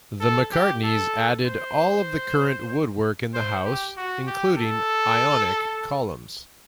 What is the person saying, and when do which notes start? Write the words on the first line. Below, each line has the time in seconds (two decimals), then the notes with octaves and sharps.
The McCartneys added all of the current woodwork in the house, including ionic columns.
0.20 A4
0.52 G4
0.84 A4
1.46 C5
3.34 C5
3.65 G4
3.97 F#4
4.27 G4
4.58 A4